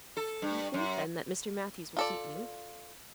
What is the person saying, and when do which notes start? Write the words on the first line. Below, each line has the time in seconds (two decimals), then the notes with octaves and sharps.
"You think then that Mr. Matthews will keep me?"
0.17 A4
0.42 G2
0.74 F#2
1.97 F4 A4 D5